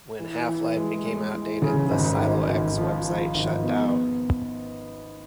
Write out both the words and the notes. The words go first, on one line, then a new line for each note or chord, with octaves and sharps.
When "Half-Life" became outdated the "Silo X" website shut dow.
E3
E3
G#3
G#3
E3
C#3
G#1
G#1
G#1
F3
F3
G#1
B3